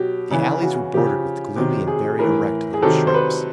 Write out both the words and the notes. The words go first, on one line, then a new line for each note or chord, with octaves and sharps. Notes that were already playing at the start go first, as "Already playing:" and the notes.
The alleys were bordered with gloomy and very erect little shrubs.
Already playing: B2 F#3 G4
C#3 E3
F#4
C#3 F3 G4
C3 D#3 F#3
G#4
A2 E3 A#4
G#4
C3 D#3 F#3 A4
C5
B4